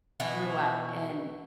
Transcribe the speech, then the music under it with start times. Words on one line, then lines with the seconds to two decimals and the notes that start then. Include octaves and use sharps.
grew up, and,
0.20 B2 E3 F#4